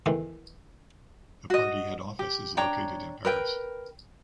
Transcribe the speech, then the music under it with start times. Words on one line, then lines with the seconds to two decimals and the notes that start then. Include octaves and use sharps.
The party head office is located in Paris.
0.06 E2 A2 D#3 E3
1.50 F#4 D#5
2.19 G4
2.57 D4 C#5 G5 A#5
3.25 A#4 B4 G5